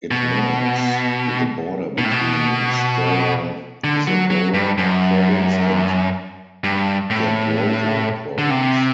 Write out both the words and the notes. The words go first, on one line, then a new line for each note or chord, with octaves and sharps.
It marks the border between Stara Zagora province and Gabrovo province.
B2
B2
A2
B2
D3
F#3
F#3
G2
F#2
G2
A2
D3
C3